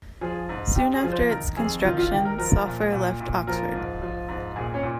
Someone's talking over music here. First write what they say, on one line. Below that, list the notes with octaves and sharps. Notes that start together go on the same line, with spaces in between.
Soon after its construction Soffer left Oxford.
F3 G#4
G#2
G#2 G4
G#4
F3
C5
D#3 A#4
F2 G#4
D#3 F4
F4
D#3 G4
A#4
F3 A#4
A#2
A#2
A#2
F3 A#4
G#2
F3
G#2
A#2 G#4
C#4
A#2